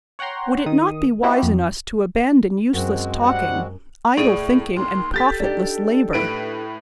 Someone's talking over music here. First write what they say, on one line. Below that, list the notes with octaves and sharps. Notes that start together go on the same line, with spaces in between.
Would it not be wise in us to abandon useless talking, idle thinking, and profitless labour?
C#5 F#5 G5 A#5 C6
D#3 D#6
C4 D#4 E4 F#4 G4 C5
F2
F#2 G#3 C4 F#4
G3 F#5
A2 G#4 D5 C#6 D7 D#7
D#2 C6
G4 A4 G6 A6 B6
D4 D#4 G4 D5
A2 B4 D7